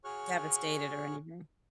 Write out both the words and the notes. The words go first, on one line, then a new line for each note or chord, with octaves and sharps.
Devastated or anything.
F#4 G#4 C#5 C#6 F6 F#6